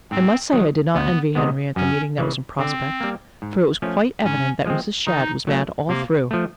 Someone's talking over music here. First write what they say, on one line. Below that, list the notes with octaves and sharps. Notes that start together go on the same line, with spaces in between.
I must say I did not envy Henriette the meeting that was in prospect, for it was quite evident that Mrs. Shadd was mad all through.
G#2 C4
D#3 F#3
D2 B3
C3 D#3 G#3 B3
F#2 C#4
C#3 E3
D3 C4
G3 A#3
G#2
F3 A3 C#4
G#2 C#4
F3 G#3 C4
D#3 D#4
F#3 A3
C3 A#3
F3 A3